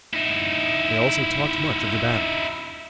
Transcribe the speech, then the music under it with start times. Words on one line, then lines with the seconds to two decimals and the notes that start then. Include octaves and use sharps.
They also talked much of the battle.
0.14 D#4 E4